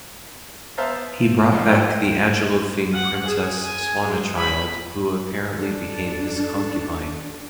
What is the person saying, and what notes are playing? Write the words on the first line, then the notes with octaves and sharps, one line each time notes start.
He brought back the Agilolfing princess Swanachild, who apparently became his concubine.
B3 C5 E5 F5 A5 A#5
C2 F2 G#3 D4 F5
F4 G4 A4 B4 C5 D5
F#5
G#4
G#5
G#3
B5
D4 A4